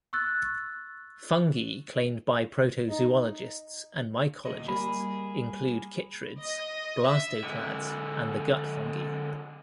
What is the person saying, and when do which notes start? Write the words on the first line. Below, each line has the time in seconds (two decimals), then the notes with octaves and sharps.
Fungi claimed by protozoologists and mycologists include chytrids, blastoclads, and the gut fungi.
0.13 C#6 E6 F#6 A6
2.89 D#4
4.45 D2 A#2 D#5
4.68 G3 A#3 G#4 B5
6.41 D#5
7.04 E5
7.44 D3 G#3